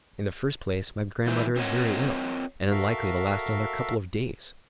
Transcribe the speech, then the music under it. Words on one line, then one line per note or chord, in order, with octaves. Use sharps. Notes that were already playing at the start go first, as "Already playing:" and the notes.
In the first place, my grandmother is very ill, and unlikely to last another couple of days.
G#2 E3 E4 C5
C4 F4 A#4 C#5 D#5 F#5
F#4 A4 A#4 E5 F5